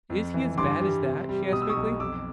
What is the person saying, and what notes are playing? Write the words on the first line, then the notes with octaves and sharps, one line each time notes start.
"Is he as bad as that?" she asked quickly.
F2
E3
G2 C6 D6
G3
C3
G3
B2 D#6
E6
C#6 D#6
B1
F2 D6 E6